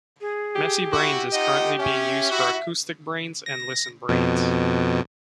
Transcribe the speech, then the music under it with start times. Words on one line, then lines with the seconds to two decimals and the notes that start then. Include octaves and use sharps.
MessyBrainz is currently being used for AcousticBrainz and ListenBrainz.
0.21 G#4
0.56 G4
0.92 E4 F#4
1.33 D#4 F4 D#5 F#5
1.80 C#4 E5
2.31 E4 F#4
3.46 A#6
4.08 F2 B2